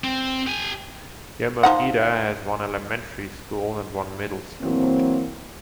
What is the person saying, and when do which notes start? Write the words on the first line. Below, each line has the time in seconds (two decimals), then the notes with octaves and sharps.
Yomogita has one elementary school and one middle school.
0.04 C4
0.47 G4 G#5
1.63 F3 D#4 F#5
4.62 E3 F#3 A#3 C4